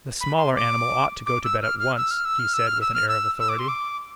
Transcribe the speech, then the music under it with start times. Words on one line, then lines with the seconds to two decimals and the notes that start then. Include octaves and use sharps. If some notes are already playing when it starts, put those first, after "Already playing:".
"The smaller animal ought to go to bed at once," he said with an air of authority.
0.21 B5
0.38 C6
0.56 D6
1.26 D6
1.44 E6
1.62 F6
1.79 F6
1.98 E6
2.11 F6
2.25 E6
2.39 F6
2.54 E6
2.67 F6
2.81 E6
2.94 F6
3.09 E6
3.40 E6
3.49 D6
3.59 C6
3.68 D6